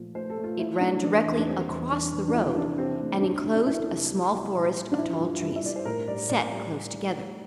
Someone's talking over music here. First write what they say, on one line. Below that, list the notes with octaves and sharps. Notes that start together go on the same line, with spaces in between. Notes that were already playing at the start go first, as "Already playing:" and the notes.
It ran directly across the road and enclosed a small forest of tall trees, set close together.
Already playing: A#2 F3 A3
A3 C5
A4
A3
F4
A3 E4
A3 D4
E3 D4
E2
D4
G3 C4
E2
E2 D4
E2
D4
F3 E4
C3 D4
C3 C4
A3
D2 D4
D2
D4
D2 E4
C3
G3
C2
A#2
A#2
D4
F3 E4
F4
G2
G2 E4
E5
G2 D5
C5
A2 A#4
G3 D5
A2 D5
G3